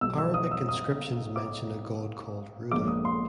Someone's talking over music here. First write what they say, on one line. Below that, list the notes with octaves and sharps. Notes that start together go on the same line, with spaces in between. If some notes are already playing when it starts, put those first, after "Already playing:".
Arabic inscriptions mention a god called Ruda.
B1 B2 G3 E6
E6
D#6
E6
D#6
D6
A#1 A#2 F3 G#3 D6
D#6
C6